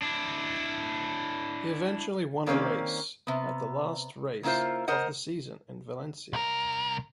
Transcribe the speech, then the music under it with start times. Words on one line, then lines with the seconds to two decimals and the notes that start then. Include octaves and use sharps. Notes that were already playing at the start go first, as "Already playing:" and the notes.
He eventually won a race at the last race of the season in Valencia.
0.02 D4 E4
2.46 D#3 A#3 C4 C#4 D5
3.27 C3 B3
4.43 C#3 A#3 E4 F4 C5
4.88 A#4 C5 D#5 F#5
6.33 C2 A#4